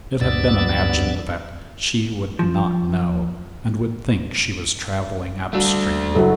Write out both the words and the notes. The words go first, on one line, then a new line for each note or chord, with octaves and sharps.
It had been imagined that she "would not know," and would think she was traveling upstream.
D2 G2 B3 D5 E6 A6
F3
G3 A3 D4 F#4
F#1 F#4 A4